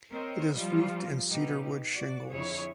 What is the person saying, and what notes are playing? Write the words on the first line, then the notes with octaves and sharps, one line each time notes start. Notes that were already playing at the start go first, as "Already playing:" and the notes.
It is roofed in cedar wood shingles.
C4 A#4 C#5 D#5
F3 G3 F4
B2 D#4 G4
F#4 D5
F2 D3 E4 G#4 C#5